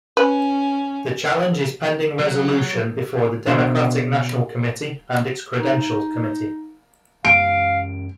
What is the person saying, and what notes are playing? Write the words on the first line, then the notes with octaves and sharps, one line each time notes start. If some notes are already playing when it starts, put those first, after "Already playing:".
The challenge is pending resolution before the Democratic National Committee and its Credentials Committee.
C#4 B4
F#3
B2 D4 C5 E5
D#4
F#2 G#3 F5 D7